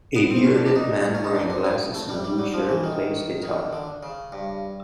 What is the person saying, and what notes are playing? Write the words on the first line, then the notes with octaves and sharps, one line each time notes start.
A bearded man wearing glasses and a blue shirt plays guitar.
B3
C4
C#4
D4
D4
D#4
C#4
D#4
D4
C4
B3
A3
G3
G3
F#3
F3
E3
D#3
D#3
D3
C#3
G2